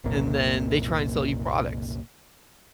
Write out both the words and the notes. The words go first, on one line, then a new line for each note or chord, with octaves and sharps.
and then they try and sell you products.
F#1 C2 A#2